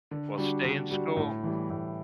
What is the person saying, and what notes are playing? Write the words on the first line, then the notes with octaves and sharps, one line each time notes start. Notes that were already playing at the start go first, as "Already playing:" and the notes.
Well, stay in school.
D3
G3 D4 F#4
D3
G3 D4 F#4
A2
E3 G3
A2